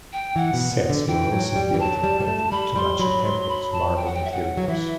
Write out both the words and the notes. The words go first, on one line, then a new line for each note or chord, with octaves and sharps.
Sets were also built and painted to match the Temple's marble interiors.
G5
E3 F#5
B2
B2
D3
E3 G5
F#3
G3
E3 G5
F#3 A5
G3
G3
A3
G3 B5
G3 C6
F#3 B5
C6
B5
A5
G5
F#5
G5
E5
F#5
F#3
F#5
E3 E5